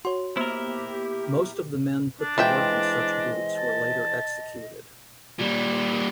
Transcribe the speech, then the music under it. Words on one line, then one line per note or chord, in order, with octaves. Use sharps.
Most of the men put to work in such groups were later executed.
F#4 C#5 C6
A#3 B3 E4 G4 A#4 C5
D4
E3 G#3 C4 F4 D#5 E5 G5
A5
A#2 G3